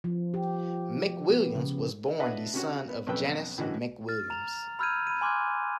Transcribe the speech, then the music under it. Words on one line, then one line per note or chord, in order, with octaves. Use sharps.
McWilliams was born the son of Janice McWilliams.
F3
G4
B3
C#3
D4 B4 D#5 E5 F#5 A5
C3 C#4 F#4
B3
B1 F2 C#4 B4 G5 E6
A2 D3 E3 C#4 D#4 F#4
F6 A6
A#5 F7
B5 E6 F6 G6 G#6 D#7
B5 D#7
G#5 C6 D6 F6 F#6 G#6